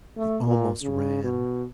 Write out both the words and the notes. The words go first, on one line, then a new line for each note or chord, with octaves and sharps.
He almost ran.
A3
A#2
C#3
B2